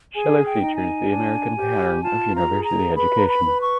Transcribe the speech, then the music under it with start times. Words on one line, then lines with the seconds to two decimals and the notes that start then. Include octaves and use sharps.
Schiller features the American pattern of university education.
0.14 G#4 G#5
0.46 G5
0.62 D#4
0.77 G#5
1.09 D4
1.56 G4
2.03 F4 A5
2.34 A#5
2.50 G#4
2.65 A#5
2.96 B4 B5
3.17 A#5
3.28 B5
3.44 B4
3.60 C#6